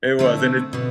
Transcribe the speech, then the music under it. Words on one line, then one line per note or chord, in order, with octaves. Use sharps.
It was, and it's
D3 A3 C4
B2 B3